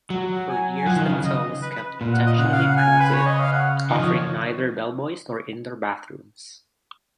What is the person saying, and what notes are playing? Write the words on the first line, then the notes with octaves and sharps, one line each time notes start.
For years the hotel was kept intentionally primitive, offering neither bellboys nor indoor bathrooms.
F#3
G#5
G#5
F3 F#5
D#3
C#3 F5
D#5
B4
B4
A#2
F#5
D#5
C#3 F#5
F5
F#5
G#5
B4
C#5
D#5
F5
F#5
D#3 D#5
F3 C#5